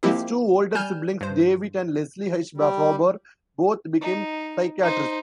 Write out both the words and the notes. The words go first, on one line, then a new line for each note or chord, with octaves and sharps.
His two older siblings, David and Leslie H. Farber, both became psychiatrists.
F3 G#3 A#3 C4 E4 G4
G3 G#5 F6 G6 E7
G2 C5
G3
D#4
D#4 C5